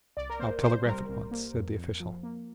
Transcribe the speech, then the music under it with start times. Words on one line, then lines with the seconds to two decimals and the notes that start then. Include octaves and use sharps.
"I'll telegraph at once," said the official.
0.17 C2 D5
0.30 A#4
0.39 A#3 C5
0.63 C3 C5
0.86 G3 A#4
1.09 C2
1.31 A#3
1.54 F2
1.77 F2
2.00 F3
2.23 A#3